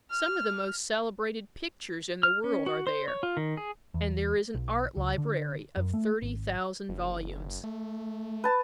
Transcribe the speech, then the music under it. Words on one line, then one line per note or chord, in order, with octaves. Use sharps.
Some of the most celebrated pictures in the world are there, and there is an art library of thirty thousand volumes.
F6
F6
C#4
F#4
C5
C#5
F4
D#3
G#4
E2
B1
C#2
D3
F#2
A3
G#1
F#1
A3
B4 A5